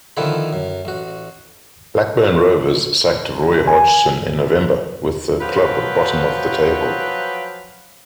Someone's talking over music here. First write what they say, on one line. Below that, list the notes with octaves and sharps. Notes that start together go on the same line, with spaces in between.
Blackburn Rovers sacked Roy Hodgson in November, with the club bottom of the table.
D3 D#3 F3 B3 E4 A4
F#2
A1 F#4
G#5
F3 F#3 B4 F5 G5